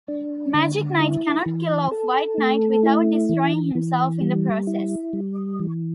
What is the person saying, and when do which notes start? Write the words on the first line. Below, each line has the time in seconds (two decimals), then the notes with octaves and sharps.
Magic Knight cannot kill Off-White Knight without destroying himself in the process.
0.08 D4
0.54 D3
1.00 E4
1.46 E3
1.91 A4
2.38 A3
2.83 E4
3.29 E3
3.75 E3
4.21 G3
4.67 E4
5.13 G3
5.59 E3